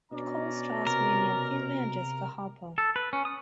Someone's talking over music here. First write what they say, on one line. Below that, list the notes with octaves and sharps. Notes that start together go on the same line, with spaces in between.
It co-stars William Finley and Jessica Harper.
B2 C#4 D4 D5 A#5
C3 A#4
A4
B4
C#4
D#6